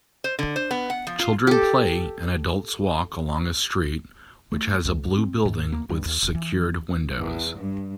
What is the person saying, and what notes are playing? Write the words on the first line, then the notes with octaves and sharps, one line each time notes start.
Children play and adults walk along a street which has a blue building with secured windows.
C5
D3
C5
B3
F#5
F3
F4
G4 A4
A3
C#2
C4
G#2
A#3
G2
D#2
E1
E3
E2
G2